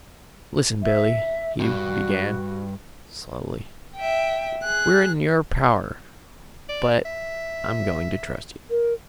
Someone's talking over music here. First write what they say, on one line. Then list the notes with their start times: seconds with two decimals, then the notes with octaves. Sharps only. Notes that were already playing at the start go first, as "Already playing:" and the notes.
"Listen, Billy," he began, slowly; "we're in your power, but I'm going to trust you."
0.82 E5
1.60 C#2 G2 F#4
3.96 E5 G5
4.63 G#4 F#6
6.69 D5
7.05 E5
8.70 A#4